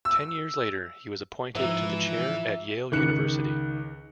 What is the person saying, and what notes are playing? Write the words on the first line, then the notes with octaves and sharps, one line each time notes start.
Ten years later he was appointed to the chair at Yale University.
E6
G#2 E3 F3 B4 C5 E5 A#5
C#2 D#3 F#6 C#7